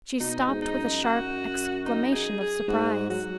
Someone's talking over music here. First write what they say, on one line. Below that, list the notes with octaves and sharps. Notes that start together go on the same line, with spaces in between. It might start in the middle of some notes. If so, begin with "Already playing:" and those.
She stopped with a sharp exclamation of surprise.
B2 D#4
G#2
D#4
F#2
F#4
D#4
G#4
G#4
G#2 F#4
F#3 F#4